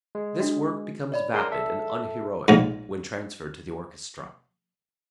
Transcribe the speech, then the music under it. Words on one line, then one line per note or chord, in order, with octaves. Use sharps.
This work becomes vapid and unheroic when transferred to the orchestra.
G#3
D4 E4 F#4
C#5 D5 B5
G#4 A#4 C6
A4 E5
A#1 G#2